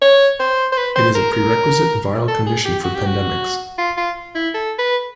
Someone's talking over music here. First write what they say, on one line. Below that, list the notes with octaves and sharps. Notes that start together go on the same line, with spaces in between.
It is a prerequisite viral condition for pandemics.
C#5
C5
C5
B4
C5
A#4
A#4
A4
G#4
G4
F#4
G4
F#4
F4
F4
E4
A4
B4